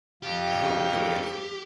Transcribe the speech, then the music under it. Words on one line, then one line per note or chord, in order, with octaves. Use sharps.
Oh, really?
F2 F4 G4